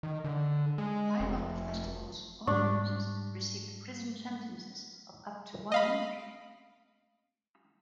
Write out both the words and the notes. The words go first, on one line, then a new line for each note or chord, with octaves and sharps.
Five of the festival's organizers received prison sentences of up to one year.
D#3
D3
G#3
F1
G#2 G3 D4 C#6
D#5 F5 B5